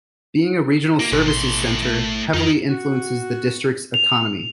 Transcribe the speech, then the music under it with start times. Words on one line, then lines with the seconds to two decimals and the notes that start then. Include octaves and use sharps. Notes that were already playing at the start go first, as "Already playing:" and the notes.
Being a regional services centre heavily influences the district's economy.
1.00 A#3 E4 F#4
1.12 A1 B2 D#3 G#3 C#6
1.26 A2 C6
1.82 A3 E4
2.34 F2 D#4 F4 A#4 G6
2.68 F#4
3.94 F7